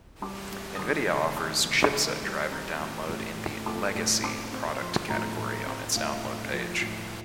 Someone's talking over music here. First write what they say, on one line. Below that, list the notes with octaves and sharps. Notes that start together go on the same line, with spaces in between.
Nvidia offers chipset driver download in the "Legacy" product category on its download page.
G3 D6
G3
D#6
D#3 D6
F1
D#3 D6
F1
D#3
G3
C6
C4 A#5
A1
A1
A2
A3 D6
A2
C4 D6
C4
F3 C6
A2 A#5
A2
C4
A2 F5
D#5
F5
A2
F3
A2